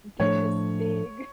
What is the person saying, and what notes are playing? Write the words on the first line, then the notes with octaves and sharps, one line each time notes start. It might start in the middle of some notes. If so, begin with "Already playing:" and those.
get this big,
A2 F3 A3 D4 C#5